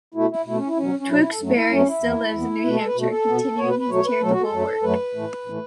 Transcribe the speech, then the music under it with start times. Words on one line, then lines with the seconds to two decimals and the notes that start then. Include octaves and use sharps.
Tewksbury still lives in New Hampshire, continuing his charitable work.
0.14 B2 A3 E4
0.31 E4
0.46 B2 A3 E4
0.57 C#4
0.67 E4
0.77 E2 B2 F#3 C#4
0.99 C#4
1.08 E2 B2 F#3 E4
1.19 E4
1.30 A4
1.40 F#2 F#3 A3
1.55 E4
1.71 F#2 F#3 A3 C#4
1.87 E4
2.02 E2 E3 B3
2.33 E2 E3 B3
2.65 B2 A3 B4
2.75 A4
2.86 B4
2.95 B2 A3
3.11 A4
3.27 B2 B3
3.58 B2 B3 C#5
3.69 B4
3.79 B4
3.89 B2 F#3 A3 C#5
4.05 B4
4.20 B2 F#3 A3 A4
4.31 F#4
4.41 A4
4.52 F#2 F#3 A3
4.82 F#2 F#3 A3 B4
5.14 A2 E3 A3
5.46 A2 E3 A3